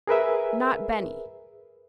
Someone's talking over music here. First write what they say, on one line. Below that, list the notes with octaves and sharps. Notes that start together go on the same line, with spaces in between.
Not Benny!
G#4 A#4 B4 E5